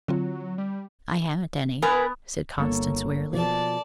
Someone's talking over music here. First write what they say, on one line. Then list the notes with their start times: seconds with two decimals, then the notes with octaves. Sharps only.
"I haven't any," said Constance wearily.
0.08 D3 F#3 C4 F4
0.58 G3
1.82 B3 A#4 B4 G#5
2.58 G1 A#3 A4 C#5
3.33 B2 F3 D5 A5